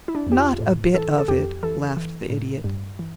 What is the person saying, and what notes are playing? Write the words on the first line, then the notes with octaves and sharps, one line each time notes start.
"Not a bit of it," laughed the Idiot.
E4
D4
F2
G4
F4
A2
E3 A4
A4
F2 G4
E3 A4
E3
A2
G2
E3